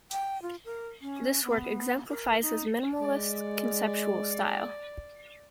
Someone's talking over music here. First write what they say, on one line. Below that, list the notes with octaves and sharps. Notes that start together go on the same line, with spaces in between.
This work exemplifies his minimalist, conceptual style.
G5
F4
A#4
C#4
B3
A#4
D#4
G#3 D5